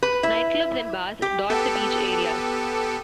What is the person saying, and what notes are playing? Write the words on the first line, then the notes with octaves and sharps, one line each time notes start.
Nightclubs and bars dot the beach areas.
B4
E4
G4
B3 G4 A4